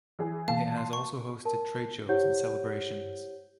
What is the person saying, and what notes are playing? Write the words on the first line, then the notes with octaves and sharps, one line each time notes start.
It has also hosted trade shows and celebrations.
E3 G#4
B2 E3 A#3 F5 A5
C6
C#6
A#4 A5
E4 G4 C5 C#5 F#5 G6